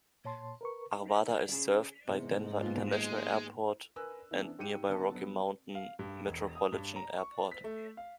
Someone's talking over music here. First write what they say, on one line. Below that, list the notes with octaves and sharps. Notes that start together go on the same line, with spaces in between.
Arvada is served by Denver International Airport and nearby Rocky Mountain Metropolitan Airport.
A#2 C#5 A5 C6
A#4 B4 C#6
D#4
C#3 G#4
E2 G#2 C3
D#2 B3 F4
G#3
A#4 B4 G#5 E6 F#6
E3 B3 C#4 D4
G#2 G4 G5 C#7 D#7
D3 B3 A5
F#3 B3
F5
G2
E1
D#6
G2
A#5
C#6
B6
A3
F5